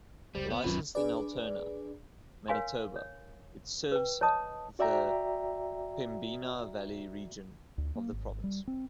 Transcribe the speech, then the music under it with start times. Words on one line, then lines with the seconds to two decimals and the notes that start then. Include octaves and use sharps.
Licensed to Altona, Manitoba, it serves the Pembina Valley region of the province.
0.35 F1 C#2 G3 C5
0.50 B3
0.64 D1 G1 C2 F#2 D#3 C#4 F4 B4
0.95 D4 G#4 B4 D5
2.48 A#4 C#5 F5 G#5 C6
2.96 C#5
3.92 B4 G5
4.21 C#5 D#5 A5 D#6
4.79 F#4 D5 E5 G5 A#5
7.78 D2
7.95 A#3
8.12 G#1
8.44 G3
8.67 C4